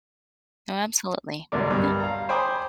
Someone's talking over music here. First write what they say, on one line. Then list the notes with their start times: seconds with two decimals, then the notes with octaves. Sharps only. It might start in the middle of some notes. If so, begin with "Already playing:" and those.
Oh, absolutely. Yeah.
1.52 C2 G#2 B2 D3 A#4 D5
1.71 G2
2.00 F5 A#5
2.29 C5 G5 G#5 B5 D6 D#6